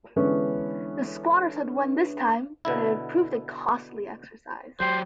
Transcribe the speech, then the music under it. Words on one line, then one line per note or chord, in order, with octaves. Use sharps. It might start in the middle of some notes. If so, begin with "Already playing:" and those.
The squatters had won this time, but it had proved a costly exercise.
D3 E3 G#3 B3 C#4 D4
B2 D3 E4
F#3 G4 C5